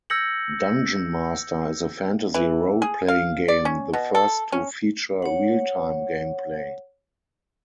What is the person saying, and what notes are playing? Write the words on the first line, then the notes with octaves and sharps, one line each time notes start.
"Dungeon Master" is a fantasy role-playing game, the first to feature real-time gameplay.
E6 G6 G#6 A#6 C#7 F#7
E3
G#4
F5
D5
C#4
B2
A4
C#4
C#5 F#5